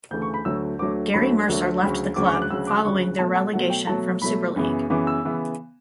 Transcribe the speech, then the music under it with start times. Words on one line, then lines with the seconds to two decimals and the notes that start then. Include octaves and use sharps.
Gary Mercer left the club following their relegation from Super League.
0.11 D2 C#3 E3 A3 G6
0.22 C#6
0.34 B5
0.45 D2 D3 F#3 A3 E6
0.79 D2 D3 F#3 A3 D6
1.14 D2 D3 F#3 A3 B5
1.48 D2 D3 F#3 A3
1.82 D2 C#3 F#3 B5
2.16 D2 C#3 F#3 D6
2.25 C#6
2.33 D6
2.42 F#6
2.50 D2 C#3 F#3 E6
2.67 D6
2.85 D2 C#3 F#3 C#6
3.19 B2 F#3 A3 A5
3.36 A5
3.53 B2 F#3 A3 F#5
3.70 G5
3.87 B2 F#3 A3 A5
4.22 B2 F#3 A3 B5
4.56 F#2 C#3 E3 B3
4.90 F#2 C#3 E3 B3 D6
5.07 E6
5.25 C#3 E3 B3